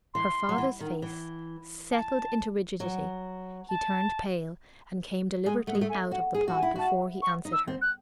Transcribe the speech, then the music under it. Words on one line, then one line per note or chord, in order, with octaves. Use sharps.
Her father's face settled into rigidity, he turned pale, and came deliberately out of the plot before he answered her.
E3 C6
F#3
E3
D#3
E3
A5
F#3
A5
G#3 G#5
A3 F#5
G#3
A3
G#5
F#4 F#5
G#4 G#5
F#4
G#5
E4
F#4 A5
C#6
D#4
E6
C4
F#6